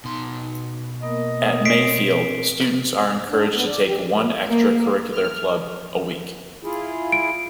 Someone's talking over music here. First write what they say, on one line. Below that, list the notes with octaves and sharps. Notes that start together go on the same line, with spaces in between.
At Mayfield students are encouraged to take one extra curricular club a week.
B2 D#4 C6
A#3 B3 A#4 D#5
C4 A#4 C#5 B6 C7 D7
D4
B3
D5
G4
A#3
F6
E4 F4 G#4
D7